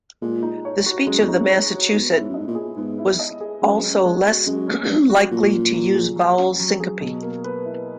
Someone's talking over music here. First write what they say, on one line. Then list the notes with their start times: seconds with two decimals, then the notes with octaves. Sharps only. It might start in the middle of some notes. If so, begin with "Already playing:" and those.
The speech of the Massachusett was also less likely to use vowel syncope.
0.22 A#2 G#3
0.43 D#4
0.65 C#5
0.86 F#4
1.07 F#2 G#3
1.19 E2
1.28 F#2 D#4
1.49 C#5
1.71 F#4
1.92 G#2 B3
2.14 E4
2.21 G#2
2.29 F#2
2.34 G#2 D#5
2.48 A#2
2.55 G#4
2.76 G#2 B3
2.98 E4
3.19 D#5
3.40 G#4
3.62 F#2 G#3
3.83 C#4
4.04 G#3
4.25 F#4
4.46 F#2 G#3
4.68 C#4
4.90 G#3
5.10 F#4
5.31 A#2 F#3
5.53 C#4
5.74 F#3
5.94 G#4
6.16 F#3
6.38 C#4
6.59 F#3
6.80 G#4
7.01 B2
7.23 A#3
7.44 B4
7.65 E4